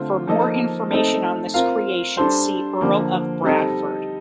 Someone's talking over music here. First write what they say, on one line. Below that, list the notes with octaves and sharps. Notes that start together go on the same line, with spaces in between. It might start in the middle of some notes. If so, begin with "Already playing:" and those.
For more information on this creation, see Earl of Bradford.
Already playing: D3 A3 C4 F4
F3 A#3 D#4 A4 D#5
A3 C4 D#4 A4
C4 F4 A#4 F5
G3 D4 A4 C5
D3 F3 A#3
G3 C4 D#4 A4 D#5